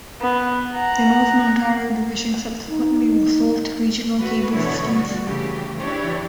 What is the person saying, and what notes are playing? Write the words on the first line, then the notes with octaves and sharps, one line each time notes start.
The Northern Ontario division, subsequently, was sold to Regional Cablesystems.
B3
F#5 A#5
D#4
A3 F#4 B4
B2 D3 E3 B3 E4 C#5
G3 F#4
C#3 E3 A3 G4
E3 D4 E4 G4 C#5